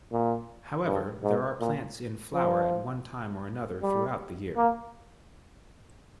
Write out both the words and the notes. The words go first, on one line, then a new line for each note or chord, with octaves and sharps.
However, there are plants in flower at one time or another throughout the year.
A#2
G2
G#2
A#2
F3
G3
A#3